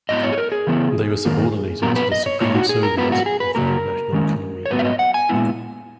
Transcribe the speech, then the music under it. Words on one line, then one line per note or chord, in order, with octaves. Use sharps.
They were subordinated to the Supreme Soviet of the National Economy.
G#2 F#3 B3 E4 D#5
C#5
G#4
A#4
G#4
C#3 E3 B3 E4
F#2 D#3 A#3
A#2 F#3 B3 A#4
B4
D#5
C#5
A#2 A#3 D#4 C#5
F#4
G#4
A#4
G#2 F#3 B3 E4 B4
F#4
G#4
B4
C#3 F#3 A#3 A#4
D#3 G#3 C#4
C#5
G#2 F#3 B3 B4
E5
D#5
F#5
G#5
A#2 G#3 B3 E4